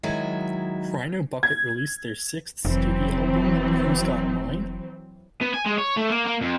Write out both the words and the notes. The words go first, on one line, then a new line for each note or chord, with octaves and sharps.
Rhino Bucket released their sixth studio album Who's Got Mine?
D#3 F#3 G#3 E4
G#6
F1 E3 F#3 C4
B3
G#5
G#3
C#5
A3
A#3
A#3
F2